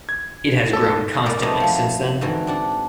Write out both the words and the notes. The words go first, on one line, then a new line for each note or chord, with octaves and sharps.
It has grown constantly since then.
G#6
A4
G3 G#3 A#4 D5
A3 B3 C4 D#4 C#5 D#5
F3 F#3
G#2 D3 E3 C4 F#4
C4 D4 F#5